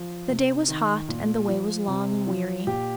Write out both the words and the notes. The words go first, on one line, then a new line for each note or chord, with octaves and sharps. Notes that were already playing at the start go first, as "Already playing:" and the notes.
The day was hot, and the way was long and weary.
Already playing: F3
C3
D#3
A#2
F3
C3
F3
A#2 G4